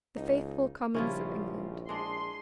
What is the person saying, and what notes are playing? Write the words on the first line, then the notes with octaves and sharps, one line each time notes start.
"The faithful Commons of England."
C#2 D#4
A#1 C#3 F3 G3 C#4 E4 F4
G#3 D4 G#4 C6